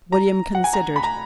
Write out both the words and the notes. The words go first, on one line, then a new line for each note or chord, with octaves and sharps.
William considered.
A#5
F#5
G#5
A#5
B5
A#5